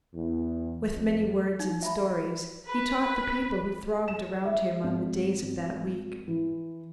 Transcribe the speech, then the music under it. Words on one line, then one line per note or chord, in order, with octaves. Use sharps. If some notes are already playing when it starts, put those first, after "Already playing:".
With many words and stories he taught the people who thronged around him on the days of that week.
E2
F2
D#4
E5 A#5 B5
B4
E7
E5
G#1
G#1
E3